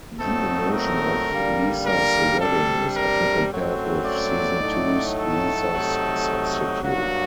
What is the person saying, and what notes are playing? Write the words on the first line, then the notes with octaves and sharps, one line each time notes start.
The emotion of "Lisa's Wedding" is often compared with season two's "Lisa's Substitute".
A#2 F#3 A3 C4 D#4 A4
A#4
D3 G3 A#3
A#4
C3 G3 D4 A4
A#4
F#2 F#3 A3 C4
D5
A2 F#3 A3 D#4
A4
C3 F#3 A3 D#4
G2 F#3 A#3 D4 F#4